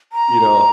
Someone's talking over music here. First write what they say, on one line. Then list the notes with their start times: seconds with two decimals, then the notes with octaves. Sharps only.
you know.
0.13 A#5